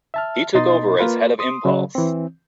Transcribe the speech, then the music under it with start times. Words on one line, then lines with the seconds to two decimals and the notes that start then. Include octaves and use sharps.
He took over as head of Impulse!
0.14 E5 A5 F6
0.55 B2 D#4 D#5 C6 A6
0.99 A#3 F4 B4
1.39 C6 D#6
1.65 C#3 F#3
1.95 E3 C4